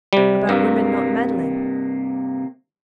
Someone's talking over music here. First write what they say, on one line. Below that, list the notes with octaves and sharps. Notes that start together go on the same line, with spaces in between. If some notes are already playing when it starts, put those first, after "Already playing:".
'About women not meddling.
C3 G3
G2 C3 A#3